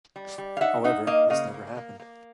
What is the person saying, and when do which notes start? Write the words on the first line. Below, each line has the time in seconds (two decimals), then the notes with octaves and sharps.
However, this never happened.
0.16 G3
0.38 G3
0.57 F5
0.61 D#4 E5 F#5
0.84 D#4 E5 F#5
1.07 A#3 D#5 F5
1.30 C#3 D#5 F5
1.54 A#3
1.77 A#3
2.00 A#3